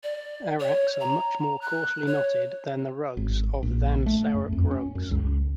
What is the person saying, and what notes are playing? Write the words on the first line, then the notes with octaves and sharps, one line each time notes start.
Araks are much more coarsely knotted than the rugs of than Sarouk rugs.
D5
C#5
A#5
F#6
C#5
G#1
A#1
A3
F#2
F2
C#4
F#2
C#2